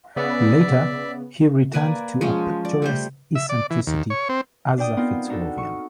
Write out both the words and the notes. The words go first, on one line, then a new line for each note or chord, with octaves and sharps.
Later he returned to a picturesque eccentricity as a Fitzrovian.
C#3 B3 D5 E5
A#3 B4 D5 G#5
F3 G#3 C#4
D5
G3 A3 C5
E5
D5
E3
D#2
C#5
C4
D4 D5 G5 D#6
B3 C4 D#4 F4 A#4
D4 D#4 F#4 A4
C#6